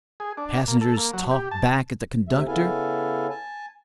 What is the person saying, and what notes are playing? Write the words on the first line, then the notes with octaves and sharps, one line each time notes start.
Passengers talk back at the conductor.
G#4
D4
A#3
A4
A#3
F#3
G4
A5
D2 C3 E5
C#3 B3 E4 A4 F5 G#5
G#5 A5